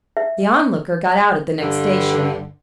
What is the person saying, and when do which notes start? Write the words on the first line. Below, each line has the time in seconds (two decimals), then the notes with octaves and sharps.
The Onlooker got out at the next station.
0.17 E5
1.60 G2 D3